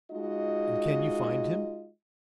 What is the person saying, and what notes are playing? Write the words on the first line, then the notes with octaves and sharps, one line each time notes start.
"And can you find him?"
G#3 D#4 F4 F#4 D#5